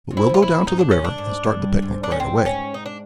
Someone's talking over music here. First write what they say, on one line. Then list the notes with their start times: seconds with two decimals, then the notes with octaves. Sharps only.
But we'll go down to the river and start the picnic right away.
0.11 C3
0.17 E4
0.29 B2
0.34 F4
0.42 E4
0.48 A#2
0.67 G#2 D#4
0.79 D4
0.91 A2 C#4
1.04 D4
1.18 G#2
1.44 G2
1.82 G#2
2.03 A#2 D4
2.11 A2 C#4
2.19 G#2 C4
2.46 C#4
2.74 D#4
2.86 D4